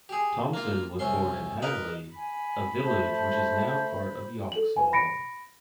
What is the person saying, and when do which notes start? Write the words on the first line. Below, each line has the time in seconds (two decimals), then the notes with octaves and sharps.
Thompson was born in Hadley, a village which is now part of Yoxall.
0.09 G4 G#4
0.53 A#3 F4
0.99 C2 C#4 C6
1.62 A#4 B4 D#5 B5
2.16 G#5 B5
2.83 A3 C5 A5
4.52 A4 F#7
4.77 B4 G#5
4.93 B5 A#6 C#7 D7